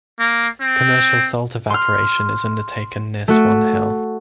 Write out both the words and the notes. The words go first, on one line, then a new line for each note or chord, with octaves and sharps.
Commercial salt evaporation is undertaken near Swan Hill.
A#3
C4
C6 F6
A3 F#4